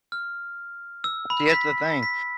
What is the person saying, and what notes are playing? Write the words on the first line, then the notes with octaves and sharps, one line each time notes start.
here's the thing.
F6
E6
B5
B6
B6